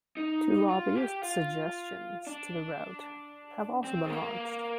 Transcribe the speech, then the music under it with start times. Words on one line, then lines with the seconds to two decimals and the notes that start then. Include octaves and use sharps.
Two lobbyist suggestions to the route have also been launched.
0.17 D#4
0.69 F4
0.95 G4
1.22 F4
2.27 D4
3.84 C4
4.06 G#3
4.11 A#3